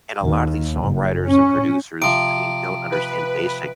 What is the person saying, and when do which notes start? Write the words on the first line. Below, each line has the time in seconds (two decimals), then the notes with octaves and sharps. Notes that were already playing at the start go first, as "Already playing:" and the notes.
and a lotta these songwriters and producers, I mean, don't understand basic
0.22 D#2
0.84 F#1
1.26 C#4
2.02 C3 F3 D7
2.92 B4